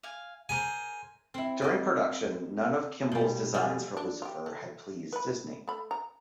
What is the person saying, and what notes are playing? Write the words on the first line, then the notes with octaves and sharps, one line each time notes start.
During production, none of Kimball's designs for Lucifer had pleased Disney.
F5 G#5
G#4 A#4 C5 G#5
C4 E4
D5 D#5
B2 G3
G3 F4 F#4 G#4
D4
F4 G4
A3
B4 B5
A3 B5
A#5